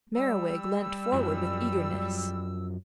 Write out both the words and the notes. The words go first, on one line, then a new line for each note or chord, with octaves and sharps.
Merriwig leant forward with eagerness.
G3 E6
F#2 F3 F#3